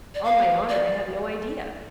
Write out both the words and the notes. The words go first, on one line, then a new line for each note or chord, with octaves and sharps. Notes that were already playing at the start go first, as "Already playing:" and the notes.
"On my honor, I have no idea."
D5
F5
D5